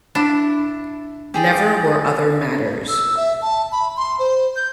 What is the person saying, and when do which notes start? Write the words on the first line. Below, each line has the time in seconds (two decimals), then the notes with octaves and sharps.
Never were other matters.
0.15 D4 E4
1.34 G4 G#4 D5
2.88 E6
3.17 E5
3.42 A5
3.72 B5
3.97 C6
4.19 C5
4.56 G6